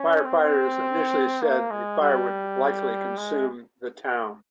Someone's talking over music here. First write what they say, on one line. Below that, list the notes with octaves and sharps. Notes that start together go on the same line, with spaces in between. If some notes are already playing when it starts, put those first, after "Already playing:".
Firefighters initially said the fire would likely consume the town.
Already playing: C#4
C4
A#3
G#3
G3
G#3